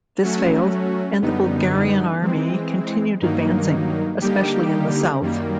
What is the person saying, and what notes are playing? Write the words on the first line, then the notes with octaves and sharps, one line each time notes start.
This failed and the Bulgarian army continued advancing, especially in the south.
F#3 A3 C#4 F#4
F#2 D3 G3 B3 D#4
E3 G#3 C4
G2 D#3 F#3 A#3 D#4
D3 G3 A#3 D#4 G4
F#2 D#3 G3 A#3